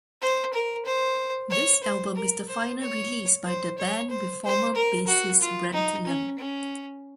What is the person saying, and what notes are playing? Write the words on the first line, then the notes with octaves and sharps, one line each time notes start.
This album is the final release by the band with former bassist Brent Young.
C5
A#4
C5
C#5
C5
A#4
C5
C#5
C5
C#5
C5
C5
A#4
F#4
F4
D#4
C#4
C#4